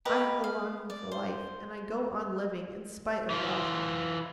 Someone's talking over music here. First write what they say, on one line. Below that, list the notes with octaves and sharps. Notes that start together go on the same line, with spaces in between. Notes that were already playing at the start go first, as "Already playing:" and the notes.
I have a longing for life, and I go on living in spite of logic.
G4 A#4 B4 D#5
F5
D5
C5
E3 F4